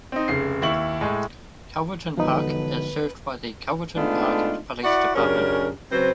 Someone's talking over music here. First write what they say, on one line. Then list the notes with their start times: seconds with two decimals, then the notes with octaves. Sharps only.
Calverton Park is served by the Calverton Park Police Department.
0.12 C4 D#4
0.28 F1 C#3 C7
0.62 D#2 E4 C#6 F#7
1.01 A2 G#3
2.17 E1 D3 F3 D#4 B4
3.96 G#3 A3 B3 D4 D#4 F4
4.83 E4 F#4 D5 F#5
5.15 F#2 C#3 C#4 D4 G4 A#4
5.91 C#3 F#3 C4 B4 C5